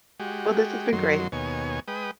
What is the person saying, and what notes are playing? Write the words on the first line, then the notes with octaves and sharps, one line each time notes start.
Well, this has been great.
G#3 F#4 G4
F#2 D#3 F#3 C6
D#2 B2 C#5 G#5
G#3 B4 G5 D#6